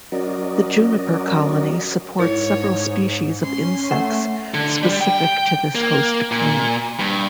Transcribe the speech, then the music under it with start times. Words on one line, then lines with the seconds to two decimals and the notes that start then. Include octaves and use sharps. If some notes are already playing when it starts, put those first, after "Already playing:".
The juniper colony supports several species of insects specific to this host plant.
0.12 F#3 C#4 F#4 A#4 D5 D#5
2.19 G#2 E4 A#4 C#5
3.43 C#4 C6
3.91 A3 F#5
4.54 D3
4.83 G3
5.01 G5
5.75 A#3
6.31 A#2
6.99 G2